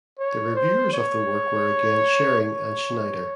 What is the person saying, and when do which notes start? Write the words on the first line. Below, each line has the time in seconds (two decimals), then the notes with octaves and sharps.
The reviewers of the work were again Schering and Schneider.
0.19 C#5
0.55 C5
0.93 C#5
2.41 C#5